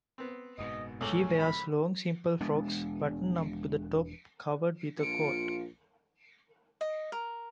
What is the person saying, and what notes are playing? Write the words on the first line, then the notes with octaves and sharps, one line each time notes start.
She wears long simple frocks buttoned up to the top covered with a coat.
B3 C4
F#1 G#2 B2 D#5
C#2 A3 C#4 D6
B5
E1 G#3 B3 D4
A#1 F4 C#7 D7
D#5
A#4